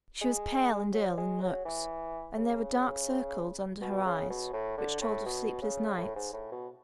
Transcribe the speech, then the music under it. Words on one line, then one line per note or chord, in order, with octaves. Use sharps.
She was pale and ill in looks, and there were dark circles under her eyes which told of sleepless nights.
G#3
F#3
G#3
F#3
E3
C#3
B2
C#3
B2
A2
D3
A2
B2
C#3
A2
G#2
A2
B2